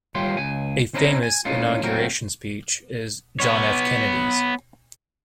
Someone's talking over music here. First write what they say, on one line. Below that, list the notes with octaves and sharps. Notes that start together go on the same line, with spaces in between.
A famous inauguration speech is John F. Kennedy's.
G3 F4 G4 C#5 F5 C6
C#2 G#5
C4 C#4 D#4 E4 F#5 A#5
G#5
A2 C#4 D#4 F4
F#3 A3 A#3 C4 A#4
B3 C#5